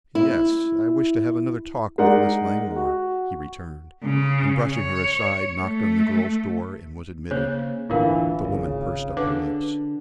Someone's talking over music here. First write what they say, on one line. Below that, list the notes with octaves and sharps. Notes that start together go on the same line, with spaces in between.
"Yes; I wish to have another talk with Miss Langmore," he returned, and, brushing her aside, knocked on the girl's door, and was admitted. The woman pursed up her lips.
E4
G#3 D#4 A#4 D5 F#5
F#4
C#3
C#5
A3
C#3 A#3 C5 C#5
D1 G1 D3 E3 F4 A#4 F5
G#1 C#3
D3 B4 D6